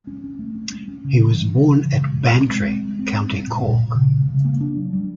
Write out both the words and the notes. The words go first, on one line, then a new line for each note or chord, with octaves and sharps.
He was born at Bantry, County Cork.
C#4
C#4
A3
C#4
C#4
C#4
C#3
E3
G3
C#3
E3
C#3
B2
B2
C4
G#3
C4
G#3
C4
C4
G3
A#2
A#2
A#2
C#3
C#3
C#3
A#3
D4
F#3
G3